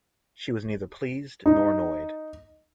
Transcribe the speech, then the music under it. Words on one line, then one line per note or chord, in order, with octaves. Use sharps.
She was neither pleased nor annoyed.
D#4